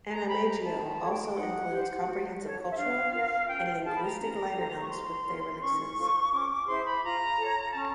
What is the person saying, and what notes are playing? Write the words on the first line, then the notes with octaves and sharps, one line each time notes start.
AnimEigo also includes comprehensive cultural and linguistic liner notes with their releases.
A#5
A4 C5 B5
A#5
C#4 A5
A5
F#4 A4 C#5
G5
D#4 F#5
G4 C5
F#4
A4 C#5
E5
D4 F5
F4 A#4
C#4 G5
G5
F4 G#4 A5
B5
A#5
C#4 A#5
F4 A4 C5
C#6
F4 C6
A#4 C#5
C#4 C#6
F4 A4 C5
C#4 D6
D6
E4 G#4 C5 C6
B5
F4 A#5
A4 C#5
C#4 A5